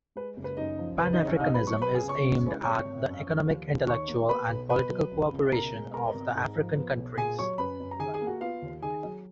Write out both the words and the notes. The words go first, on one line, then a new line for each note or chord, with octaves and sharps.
Pan-Africanism is aimed at the economic, intellectual and political cooperation of the African countries.
G#3 B4
F#1
B4
F#2 D#4 D#5
F3
C#2 B4
D#4 D#5
C#2
C#4 C#5
B2 D#4 D#5
B4 B5
F#3
C#5 C#6
B3 B4 B5
G#4 G#5
C#2
C#5 C#6
C#3
G#3
G#1 C#5 C#6
G#1
F#2
F3
D#2
D#2
D#3 C#5 C#6
A#3
B3 B4 B5
B1
B2 B4 B5
F#3
C#2
C#2
B2 A#4 A#5
G#3
B3 A#4 A#5
G#1
G#2
F3
B3
B1
A#2 G#4 G#5
F#3 C#5 C#6
F#2 B4 B5
F#2
A#5
D#3 G#4 G#5
G#4 G#5
A#3
F#4 F#5
B3 F4 F5
D#2
D#3 G#4 G#5
F#3